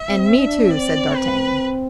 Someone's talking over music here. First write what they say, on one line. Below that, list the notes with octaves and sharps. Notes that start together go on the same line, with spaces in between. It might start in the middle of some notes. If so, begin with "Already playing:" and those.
"And me, too!" said d'Artagnan.
Already playing: E5
C4
D4
C4 D5
B4